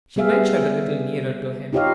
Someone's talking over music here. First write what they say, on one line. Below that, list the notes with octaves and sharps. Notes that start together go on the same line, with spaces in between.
She ventured a little nearer to him.
G3 B3 G#4 E5 F5
D#4 F4 G4 C#5 D#5 F5